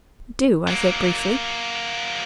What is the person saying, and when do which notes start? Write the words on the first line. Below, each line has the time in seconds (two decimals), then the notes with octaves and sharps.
"Do," I said briefly.
0.68 F#3 A#3